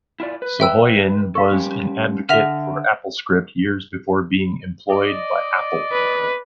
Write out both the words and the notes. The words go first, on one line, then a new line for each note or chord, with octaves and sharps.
Soghoian was an advocate for AppleScript years before being employed by Apple.
E4 F4 D5
B4
E5 G5 E6
A4 F5 C6 C#6
G3 C#4 G4
D3 A4 E5 F#5 F6 B6 F7
D5 D#5
B4